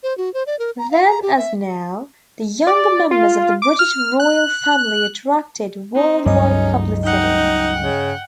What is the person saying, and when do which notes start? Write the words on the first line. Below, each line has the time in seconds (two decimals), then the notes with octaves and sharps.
Then as now, the younger members of the British Royal Family attracted worldwide publicity.
0.03 C5
0.18 F#4
0.34 C5
0.47 D5
0.59 A#4
0.78 A#5
0.91 F5
1.05 A#5
1.22 G4
1.37 E5
2.67 D5
3.11 F4
3.62 D6
3.79 F6
4.20 F#6
5.95 C4 D#4
6.26 C#2 G2 F#3 C#4 D#4 D#5
7.04 D#4 F#5 G5
7.82 C#3